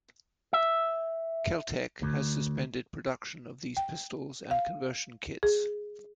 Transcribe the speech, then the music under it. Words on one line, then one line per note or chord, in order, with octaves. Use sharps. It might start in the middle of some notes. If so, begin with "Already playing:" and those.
Kel-Tec has suspended production of these pistols and conversion kits.
E5
D2
G5
F5
G#4